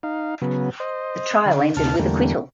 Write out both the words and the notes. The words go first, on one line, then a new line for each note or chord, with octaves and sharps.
The trial ended with acquittal.
D#4 F5
C#3 F#3 B3
C5 D#5
D3
D2 C3 A5 F6
E2 D3 G3 A3 A#3